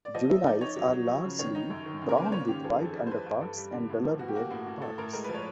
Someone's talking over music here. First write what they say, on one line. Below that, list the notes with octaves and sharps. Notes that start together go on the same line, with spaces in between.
Juveniles are largely brown with white underparts and duller bare parts.
D5
F3 D#5
F3 E5
D#4 D5
D#4 C#5
F#3
F#3
F3
C#3
D#3 C#5
D#4
F#2
D#3
C#3
A#4
A#3 B4
C5
C#4 C#5
D#3 G4
F3 G#4
F2 G#4
A4
G3
C5
E3 B4
G2
G2 A4
G3
D3
A2
F3
B2 F#4
G4
A#3 F#4
A2 F#4
A2
A2 A4
A2 A#4
G#3 A#4
F3 B4
C#5